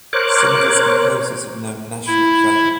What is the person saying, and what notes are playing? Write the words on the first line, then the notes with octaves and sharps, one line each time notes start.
Some of its composers have known national fame.
A#4 C5 C#5 D6 F#6
E4